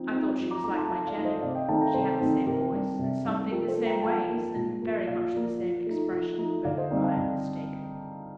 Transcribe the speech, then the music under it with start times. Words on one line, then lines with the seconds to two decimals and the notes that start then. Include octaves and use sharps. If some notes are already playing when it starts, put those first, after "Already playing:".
I thought she was like my Jenny. She had the same voice, and something the same ways, and very much the same expression; but I am mistaken.
Already playing: F3 C4 D#4
0.12 C4 D#4
0.38 F3
0.51 A#5 D6
0.64 A3 A#5 D6
0.67 D#4
0.77 A5 C6
0.90 F3 F5 A5
1.07 D5 F5
1.16 A3 D#4
1.25 C5 D#5
1.42 C3 D5 F5
1.55 D#5 G5
1.68 D#3 A3 C4 D#4 F5 A5
1.81 G5 A#5
1.94 C3 A4 C5
2.20 D#3 A3 C4 D#4
2.46 C3 G4 A#4
2.73 G3 D4
2.99 C3
3.25 G3 D4
3.51 F3 G4 A#4
3.68 A4 C5
3.77 A#3 D4
3.86 G5 A#5
4.03 F3 F5 A5
4.30 A#3 D4
4.56 A#2
4.82 F3 A#3
5.08 A#2 D5 F5
5.34 F3 A#3
5.60 F3
5.86 A3 D#4
6.12 F3
6.38 A3 D#4
6.65 D3 D5 F5
6.78 C5 D#5
6.91 G3 C4 D#4 D5 F5
7.04 F5 A5
7.17 D3